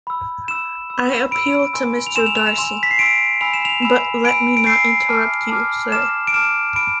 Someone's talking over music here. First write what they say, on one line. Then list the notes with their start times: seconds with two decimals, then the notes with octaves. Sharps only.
I appeal to Mr. Darcy: — but let me not interrupt you, Sir.
0.07 B5 E6
0.48 B5 E6 E7
0.90 B5 E6
1.31 B5 E6 D7
1.73 G#5 C6 E6
2.07 F7
2.15 G#5 C6 E6 E7
2.26 F7
2.37 F7
2.47 E7
2.58 G#5 C6 E6
2.83 B6
2.91 C7
2.99 G#5 C6 E6 D7
3.41 G#5 B5 E6 F7
3.54 E7
3.65 F7
3.82 G#5 B5 E6 E7
4.24 G#5 B5 E6 D7
4.57 D7
4.66 G#5 B5 E6 C7
5.09 A5 D6 F6
5.50 A5 D6 F6
5.92 A5 D6 F6 E7
6.27 D7
6.33 A5 D6 F6 E7
6.76 B5 F6 D7